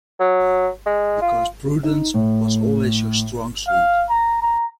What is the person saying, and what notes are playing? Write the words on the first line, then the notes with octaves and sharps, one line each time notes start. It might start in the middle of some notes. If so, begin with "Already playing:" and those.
Because prudence was always your strong suit.
F#3
G#3
F4
D#4
A2
F5
A#5
A#5